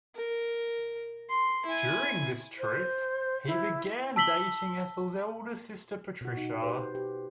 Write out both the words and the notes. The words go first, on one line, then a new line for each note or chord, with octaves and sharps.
During this trip, he began dating Ethel's elder sister, Patricia.
A#4
C6
E4 G#5
C5
E4
A5 E6 B6 F#7 G7
B2 F#4
D#4
G4 B4 C5
C5
G4